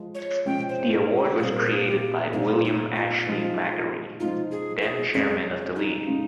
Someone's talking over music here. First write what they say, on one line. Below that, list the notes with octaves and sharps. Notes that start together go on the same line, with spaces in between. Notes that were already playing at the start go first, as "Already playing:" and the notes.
The award was created by William Ashley Magarey, then chairman of the league.
Already playing: F3 G#3
C#5
F3 G#3 C#4 G5
C5
A#4
G4
A#2 G3 C4 G#4
A#4
G#4
G4
A#2 G3 C4 D#4
D#4
F4
F3 G#3 D#4
F3 G#3 D#4 F4
G#4
G#4
F2 C#3 G#3 G#4
D#4
C#3 G#3